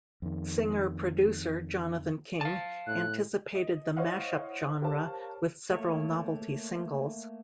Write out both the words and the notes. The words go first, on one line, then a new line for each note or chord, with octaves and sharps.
Singer-producer Jonathan King anticipated the mashup genre with several novelty singles.
F2 D#3
F5 A5
A2 F#6
D#5
E4 C5 C#5 D#5 F5 F#5
G4 A#4 C5 C#5 F5 A5
A3 A#3 C#5